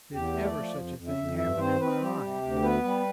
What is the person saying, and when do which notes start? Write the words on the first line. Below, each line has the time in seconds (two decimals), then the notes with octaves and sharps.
Did ever such a thing happen in my life?
0.13 E2 G4
0.34 A3
0.45 D5
0.55 F3
0.76 F2
0.96 F2
1.08 E5
1.17 F2
1.38 G2 E5
1.58 C4 C5
1.80 C4 B4
2.00 G3 G4
2.21 C3
2.42 D2
2.63 B3 B4
2.84 G3